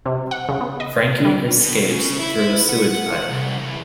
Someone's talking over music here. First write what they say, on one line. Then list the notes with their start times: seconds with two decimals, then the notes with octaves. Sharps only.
Frankie escapes through a sewage pipe.
0.06 C3
0.31 F#5
0.49 C#3
0.61 B3
0.80 D#5
1.25 G3
1.59 B2
1.87 C#3
2.19 E4
2.69 F#5
3.29 C2
3.58 E2